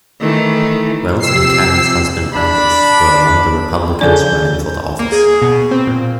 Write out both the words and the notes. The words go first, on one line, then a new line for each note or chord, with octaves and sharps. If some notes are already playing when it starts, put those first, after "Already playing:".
Wells and Cannon's husband Angus were among the Republicans running for the office.
D#3 E3 A3
C3 F3 G4 E6 C7
D4 B5
C#3 F3 D4 G#4 A4 D5 G#5 G6
A#3
G#4
B2
C4
A#2